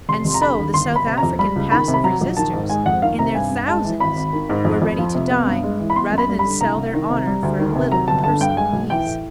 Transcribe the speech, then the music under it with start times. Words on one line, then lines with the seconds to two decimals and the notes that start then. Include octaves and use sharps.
And so the South African passive resisters in their thousands were ready to die rather than sell their honour for a little personal ease.
0.09 F1 C6
0.25 F1
0.34 A#5
0.41 D3 B5
0.58 D#2
0.73 G1 C6
0.90 G1
0.96 B5
1.07 C3
1.18 A#5
1.23 F2
1.39 G3 B5
1.56 C#2
1.71 D#3 B5
1.88 C3
1.94 B5
2.04 F#3 A#5
2.21 A#1
2.37 D#3 A5
2.53 G#2
2.69 G#3 G#5
2.86 F2 F#5
3.02 D#3 F5
3.19 C3 A#5
3.35 G2 G#5
3.51 G2
3.68 G#3 A5
3.84 E3
4.00 G#1 B5
4.16 G#1
4.33 D#3
4.49 G#2
4.65 F2
4.82 F2
4.98 F3
5.15 C3
5.31 B3
5.47 G2
5.63 G#3
5.79 E3
5.90 B5
5.96 B3 C6
6.12 F#2
6.18 B5
6.29 G3
6.39 B5
6.45 D3
6.61 C2 A#5
6.77 C2
6.94 D#3
7.10 C3
7.27 G3
7.43 D2
7.59 D#3
7.76 C3
7.91 F#3 A#5
8.08 G1 A5
8.24 D3 A5
8.41 G2 G5
8.57 G#3 G#5
8.73 B1
8.90 E3 G5
9.06 A2